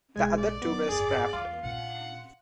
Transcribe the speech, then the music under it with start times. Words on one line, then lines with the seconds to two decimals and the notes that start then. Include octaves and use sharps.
The other two were scrapped.
0.16 B1 A2 G#3 G#5
0.38 D5
0.62 F#3 B3 C#4
0.89 F#1 G#2 G#4
1.33 E2 F5 C6
1.63 A#2 F4 F#5